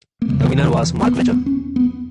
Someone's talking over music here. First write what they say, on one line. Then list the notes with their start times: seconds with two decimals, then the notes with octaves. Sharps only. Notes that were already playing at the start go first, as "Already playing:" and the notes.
The winner was Mark Fletcher.
0.22 A#3
0.28 E1 D#2 C#3 G#3
0.43 E3
0.58 D#3
0.73 E3
1.02 B3
1.17 B3
1.32 B3
1.46 C#4
1.76 B3